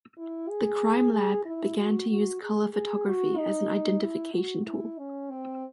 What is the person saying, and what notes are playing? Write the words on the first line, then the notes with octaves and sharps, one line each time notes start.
The Crime Lab began to use color photography as an identification tool.
E4
G#4
G#4
E4
F#4
F#4
G#4
G#4
F#4
D#4
E4
F#4
E4
C#4
C4